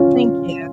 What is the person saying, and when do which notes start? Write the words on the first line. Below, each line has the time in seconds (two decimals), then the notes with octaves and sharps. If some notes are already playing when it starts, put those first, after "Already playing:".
Thank you.
Already playing: C#4 F4